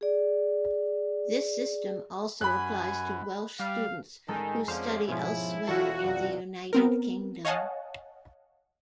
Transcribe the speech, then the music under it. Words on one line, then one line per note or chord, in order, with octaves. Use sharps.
This system also applies to Welsh students who study elsewhere in the United Kingdom.
G#4 D5
F#2 G#5 B5 F#6
G3 F5
A1 D#3 G#3 A4 A#4
F2 D3 F3 C#4 C5 F5
G#2 B2 F3 C#4 E4
E1 F4 F#4 A4
C2 F#2
B3 C4 A#4
C#5 D#5 F5 F#5 G#5 A5